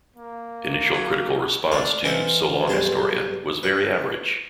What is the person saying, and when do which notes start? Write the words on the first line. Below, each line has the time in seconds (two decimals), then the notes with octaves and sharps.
Initial critical response to "So Long, Astoria" was very average.
0.16 A#3
0.93 F#3
1.72 A3 D4 A4 D5 F5
2.04 E3 D#4 F4 A4 C5 E5
2.68 B1 G2 G#4 A5 C6
3.63 B4